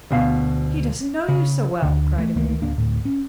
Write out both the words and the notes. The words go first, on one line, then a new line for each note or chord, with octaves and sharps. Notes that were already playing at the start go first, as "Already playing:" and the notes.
"He doesn't know you so well," cried Amelia.
D2 B2 F5
C#3
D2 D3
E3 F#3 A3
C#2 D#3 A3 A#3
D1 D2 A#3 D4
D2 A2
C#4